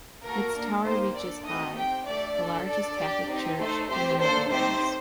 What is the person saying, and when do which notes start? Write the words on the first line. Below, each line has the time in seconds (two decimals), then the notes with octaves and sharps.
Its tower reaches high; the largest Catholic church in the Netherlands.
0.22 A#3 F#4 A4 A#4
0.53 A#3 D4 A4
0.83 A#3 D#4 G4 C5
1.14 D4 A4 D5
1.44 A3 C4 D#4 F#4 D#5
1.75 C4 G4 G5
2.05 A3 D4 G4 D5
2.35 D4 A4
2.67 D4 A4 D5
2.97 D4 G4
3.27 C4 D#4 G4
3.58 A3 D#4 A4 C5
3.88 A3 C4 G4 C5
4.19 A#3 D4 A4 C5
4.49 A3 C4 D#4 G4 C5